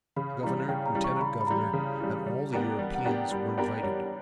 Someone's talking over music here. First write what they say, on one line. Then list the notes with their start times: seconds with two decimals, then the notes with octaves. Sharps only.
The Governor, Lieutenant-Governor, and all the Europeans were invited.
0.16 C#3 B5
0.42 E3 G3 A#5
0.69 C#3 G5
0.86 A#5
0.95 E3 G3
1.04 C#6
1.16 A#5
1.21 C#3 B5
1.41 B5
1.47 E3 G3 A#5
1.73 C#3
2.00 E3 G3
2.26 G3
2.52 B3 D4 G4 A#4
2.78 G3
2.95 F#5
3.05 B3 D4 G4 A#4 G5
3.31 G3 B5
3.49 B5
3.57 B3 D4 G4 A#4
3.66 A#5
3.83 G3 C#5